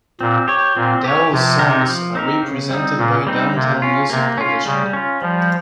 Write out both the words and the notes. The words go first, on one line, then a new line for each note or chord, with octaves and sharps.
Daou's songs are represented by Downtown Music Publishing.
A#2 C4
G4 C#5
A#2 C4
G4 C#5
C3 F3
C4 D#4 G4 A#4
F3
C4 D#4 G4 A#4
C#3
G3 C4 D#4
A#2 C#3
G3 C4 D#4
C3 A#3
C#4 F4
C3 A#3
C#4 F4
C#3 G3
C#4 F4
F3 G3